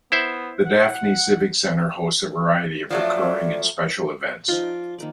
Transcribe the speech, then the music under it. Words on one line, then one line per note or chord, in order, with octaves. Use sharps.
The Daphne Civic Center hosts a variety of recurring and special events.
B3 E4 C5 E5
F#5
F3 F#3 A3 D5
F3 D#4 F4
D5
D#3 A#3 D5